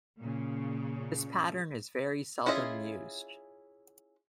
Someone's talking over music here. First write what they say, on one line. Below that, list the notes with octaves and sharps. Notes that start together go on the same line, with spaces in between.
This pattern is very seldom used.
A#2 C#3
C#4 E4 F4 G#4 D#5